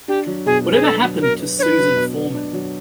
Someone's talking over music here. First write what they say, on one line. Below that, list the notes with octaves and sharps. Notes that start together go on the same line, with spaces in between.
Whatever Happened to Susan Foreman?
D4 G4
F#3
B2 G#4
B3
G#4
D4 A4
F#3
B2 A#4
B3
D4 B4 C#5
F#3
B2
B3
D4
F#3